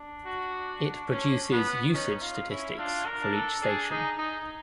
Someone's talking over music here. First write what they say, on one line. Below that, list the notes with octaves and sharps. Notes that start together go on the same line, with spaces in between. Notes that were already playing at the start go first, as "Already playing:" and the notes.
It produces usage statistics for each station.
Already playing: D4
F#4
C#4
B3
C#4 D#4
F4
C#4 E4
D4 F4
A#4
D4
A4
D4 G#4
D#4 G#4
D#4